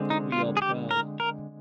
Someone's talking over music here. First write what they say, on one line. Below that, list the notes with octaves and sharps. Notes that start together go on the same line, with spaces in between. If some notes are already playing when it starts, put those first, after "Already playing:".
We are proud.
Already playing: D3 G#3 C4
D#4
F4
G#4
G4
A#4
A#4